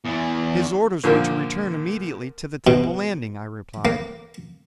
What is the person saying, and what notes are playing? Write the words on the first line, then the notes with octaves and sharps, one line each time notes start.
"His orders were to return immediately to the temple landing," I replied.
E2 E3
A#2 D3 F3 A#3
B2
A#3